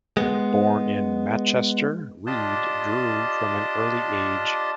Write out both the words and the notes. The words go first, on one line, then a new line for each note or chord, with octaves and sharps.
Born in Machester, Reid drew from an early age.
G#3 B3
D4 F4 G4 D#5 A5